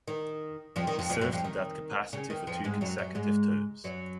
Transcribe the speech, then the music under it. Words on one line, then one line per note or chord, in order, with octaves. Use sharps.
He served in that capacity for two consecutive terms.
D#3
F2 F3
D#3
F2 F3
F2 F3
F#2 F#3
F2 F3
D#3
C#3
D#3
F2 F3
G#2 G#3
F#2 F#3
F#2 F#3
G#2 G#3
F#2 F#3